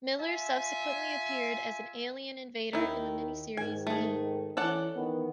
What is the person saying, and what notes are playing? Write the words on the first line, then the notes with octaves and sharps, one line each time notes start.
Miller subsequently appeared as an alien invader in the miniseries "V".
F4 E5 G#5
D#2 D#3 D#4 E4
G#2 D#3 G#5
A3 G#4
E3 C#4 A4 D5 F#5
D#3 E3 B3